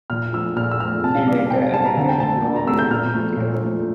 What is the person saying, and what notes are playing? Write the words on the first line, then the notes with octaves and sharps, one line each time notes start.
She later attended Yeovil Youth Theatre.
A#2 F6
F3 A3 E6
A#2 F6
E6
F3 A3 F6
C3 A5
F5
G3 D5
F5
C3 G5
F5
G3 A5
A#5
D3 A5
G5
A3 A5
D3
A#5
A3 E6
G6
A#2 F6
F3 A3
A#2
F3 A3